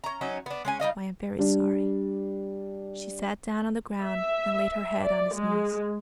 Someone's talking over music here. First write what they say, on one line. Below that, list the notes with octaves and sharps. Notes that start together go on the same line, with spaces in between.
I am very sorry.' She sate down on the ground, and laid her head on his knees.
C#4 A#5
F#3 C#4 D#4
B3 D4
G#3 C#4 G#5
G3 D#4 D#5 F5
G3 D4
E5
D5
G#3